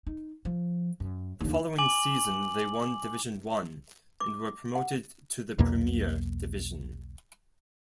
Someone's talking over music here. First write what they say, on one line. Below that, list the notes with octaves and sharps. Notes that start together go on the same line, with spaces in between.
The following season they won Division One and were promoted to the Premier Division.
D#4
F3
F#2
D#2 D3
G#5 D6 F#7
D6
F#5
B1 E2 B2 A#3